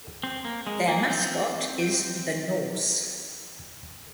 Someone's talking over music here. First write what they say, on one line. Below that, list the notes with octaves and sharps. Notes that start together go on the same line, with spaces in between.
Their mascot is The Norse.
C4
A#3
G#3
A#3
C4